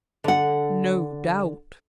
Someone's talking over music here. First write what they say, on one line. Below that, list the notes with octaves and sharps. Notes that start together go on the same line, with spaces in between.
"No doubt."
D3 F#5